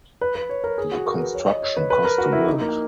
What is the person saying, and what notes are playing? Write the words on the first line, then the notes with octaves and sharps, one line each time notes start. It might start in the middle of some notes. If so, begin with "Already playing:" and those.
The construction cost to build.
B4
B4
C#5
A#4
G#4
F#4
A#4
B4
C#5
D#5
C#5
B4
B4
A#4
F#4
E4
D#4
A#3